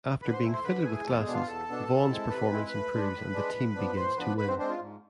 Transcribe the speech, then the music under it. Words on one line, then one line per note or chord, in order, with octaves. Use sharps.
After being fitted with glasses, Vaughn's performance improves and the team begins to win.
D3 B4 B5
C5 C6
A3 E4
C5 C6
D3 B4 B5
A3 E4 G#4 G#5
E2 A3 A4
G#3 G#4
B2 B3 D4
F4 F5
E2 A4 A5
B2 B3 D4
C3
G#3 C4 E4
C3 B4 B5
G#3 C4 E4
A2
G#3 D4
A2
G#3 D4
A2
F3 B3 D4
A2 C5 C6
F3 B3 D4 B4 B5
G#2 B4 B5
C4 C5
G#3 C4 D4 C5
F4
G#2